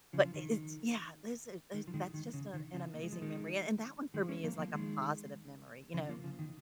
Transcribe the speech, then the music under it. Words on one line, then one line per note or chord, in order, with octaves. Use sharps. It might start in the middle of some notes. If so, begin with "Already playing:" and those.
but i it's yeah, there's a there's that's just an an amazing memory, a and that one for me is, like, a positive memory, you know?
C#3 F3
F3
D#3
D#3
F3
D#3 G#3
D#3
C#3
D#3
C#3 F3
A#3
G#3
F3
D#3 G#3
D#3 G#3
G#3 C#4
F3 A#3
F3 A#3
D#3 G#3
C#3 F3
F3 A#3
C#3 F3
D#3